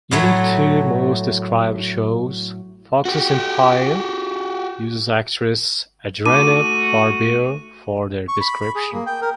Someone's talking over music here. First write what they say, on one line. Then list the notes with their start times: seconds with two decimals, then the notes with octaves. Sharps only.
Unique to most described shows, Fox's "Empire" uses actress Adrienne Barbeau for their description.
0.11 A2 F#3 A3
3.05 F#4 G4
6.26 A3 D#4 F#4 B5 D6 D#7
8.28 C#6
8.41 B5
8.61 B5
8.75 G#4
8.93 A#3
9.06 G5
9.22 A#4